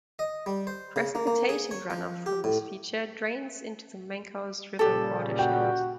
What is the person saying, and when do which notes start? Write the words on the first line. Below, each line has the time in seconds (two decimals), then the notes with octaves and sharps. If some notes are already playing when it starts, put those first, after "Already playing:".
Precipitation runoff from this feature drains into the Mancos River watershed.
0.19 D#5
0.46 G3
0.67 C5
0.96 C#3
1.15 A#3
1.27 A#3
1.49 G#4
1.71 C#5
1.90 F3
2.26 G4
2.44 A2
4.79 A#2 C#3 G3 G4 A4
5.39 F#4 G5